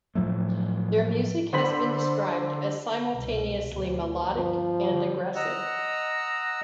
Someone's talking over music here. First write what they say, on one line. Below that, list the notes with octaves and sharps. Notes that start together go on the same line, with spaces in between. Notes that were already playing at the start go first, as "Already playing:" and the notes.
Their music has been described as simultaneously melodic and aggressive.
A2 F3 F#3 A3
D3 C5 B5 B6 F#7
C2 B2
D2
G1 F3
D3 G3
D#5 F#5 A#5 E6